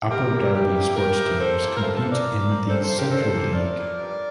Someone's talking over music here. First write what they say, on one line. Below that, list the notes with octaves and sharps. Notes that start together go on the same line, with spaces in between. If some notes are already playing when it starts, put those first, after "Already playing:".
Upper Darby sports teams compete in the Central League.
E2 G4 A#4
C3 G3 A#3
G2 E4 G4
F3 A#3
A2 G4 A#4
F3 A3
E2 A4 C5
E3 A#3
A#4
C3 F4 A4
A4 C5
E3 A#3
A#4 D5
A#2
F3 A#3
C3 A4 C5
A4 C5
F3 A#3
G4 A#4
G2 A4 C5
E3 G3 A#3
A2 A#4 D5
F3 A#3
G2